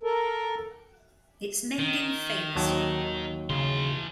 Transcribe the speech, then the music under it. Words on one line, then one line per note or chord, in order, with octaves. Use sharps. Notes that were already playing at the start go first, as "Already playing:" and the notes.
It's mending famously.
A4 A#4
D#3
D#2 F#3 A5
C#3 E3 C6